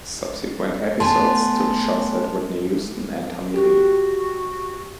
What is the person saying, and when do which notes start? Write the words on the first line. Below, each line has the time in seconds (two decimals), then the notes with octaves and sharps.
Subsequent episodes took shots at Whitney Houston and Tommy Lee.
1.00 A3 B3 G#5 A5 C6
3.54 F#4 G4